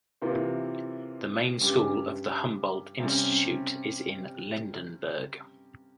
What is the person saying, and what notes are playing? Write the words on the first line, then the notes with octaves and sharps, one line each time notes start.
The main school of the Humboldt Institute is in Lindenberg.
C3 E3 A#3 F4
G2 G3 C#4 G4
C3 G3 C#4